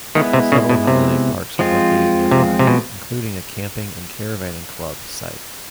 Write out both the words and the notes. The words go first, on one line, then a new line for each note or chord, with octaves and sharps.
Several holiday parks are located nearby including a Camping and Caravanning Club site.
D#3 G#3 B3 E4
C3
C#3
B2
C3
F3 G#3 C4 F4
C3
C3
B2